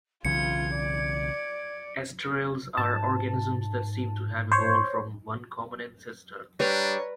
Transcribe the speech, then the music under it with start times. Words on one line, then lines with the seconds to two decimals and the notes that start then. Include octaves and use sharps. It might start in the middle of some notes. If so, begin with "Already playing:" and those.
Asterales are organisms that seem to have evolved from one common ancestor.
0.25 B1 C#3 E3 F4 G#6 C#7
0.75 D5
2.77 G#2 A5
4.52 C5 C#5
6.60 G3 D4 B4 C#5 A#5